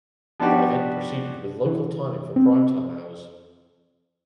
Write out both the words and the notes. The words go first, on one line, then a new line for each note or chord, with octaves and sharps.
The event proceeded with local timing for prime time hours.
F3 B3 D4 D#4 F#4 G4
E3
C4